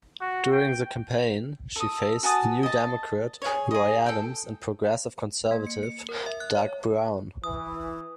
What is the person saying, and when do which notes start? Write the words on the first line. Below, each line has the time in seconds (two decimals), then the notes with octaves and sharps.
During the campaign, she faced New Democrat Roy Adams and Progressive Conservative, Doug Brown.
0.20 F#4
0.52 G5
1.76 A4 D#6
2.23 F#4 G#5 A5 D#6
2.63 D#5 A5
3.42 G#4 C#5
3.71 G#4 D#5
4.06 A4 G5
5.51 A#3
5.67 C#7
5.83 C#7
6.09 A#4
6.26 E5
6.40 F#6
6.55 C#5
7.44 E3 D#6